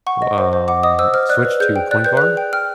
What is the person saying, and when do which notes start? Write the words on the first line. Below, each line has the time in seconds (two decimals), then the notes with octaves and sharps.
um, switched to point guard,
0.07 F#5 C#6
0.22 D#5
0.38 C5
0.53 C5
0.68 F#5 D6
0.83 D#5 D#6
0.99 C5 E6
1.14 C5 F6
1.29 D5 F#6
1.45 B4
1.60 G#4 G6
1.76 G5
1.91 D5 F#6
2.04 B4 G6
2.17 G#4 F#6
2.37 G5
2.53 G5 F6